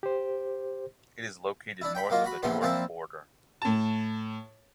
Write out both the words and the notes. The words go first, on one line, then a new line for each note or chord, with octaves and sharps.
It is located north of the Jordan border.
G4 C5
D4 E4
G5 B5
F#3 A#3 F4 D#5
F#4 B5
A#1 E3 F3 B3 C6
A#2 F3 C4 E4 A5
A2 A5